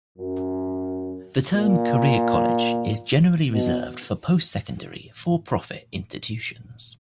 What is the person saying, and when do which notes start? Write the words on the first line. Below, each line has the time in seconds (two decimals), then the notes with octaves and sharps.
The term "career college" is generally reserved for post-secondary for-profit institutions.
0.18 F#2
1.52 A#2
3.52 B2